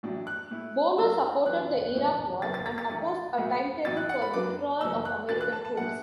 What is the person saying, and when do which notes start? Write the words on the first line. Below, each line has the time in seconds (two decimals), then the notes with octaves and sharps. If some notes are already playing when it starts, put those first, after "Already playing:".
Bonner supported the Iraq war and opposed a timetable for withdrawal of American troops.
0.03 A1 A2 F#3 D4
0.27 F#6
0.51 A2 A3 E4
0.98 F#2 F#3 A3 D4 E6
1.46 F#2 E3 B3 D4 F#6
1.94 A2 E3 A3
2.42 F#1 F#2 D3 F#3 B3 A6
2.54 A6
2.66 A6
2.78 A6
2.90 A1 A2 A3 D4
3.38 B1 A2 F#3 A3
3.85 A1 A2 F#3 A6
3.97 F#6
4.09 F#5
4.22 B5
4.33 F#2 F#3 B3 D4 D6
4.81 F#1 F#2 E3 A3 E6
5.05 F#6
5.28 E2 B2 B3 D4 A6
5.41 F#6
5.52 A5
5.65 A5
5.76 B1 A2 A3 D4 F#5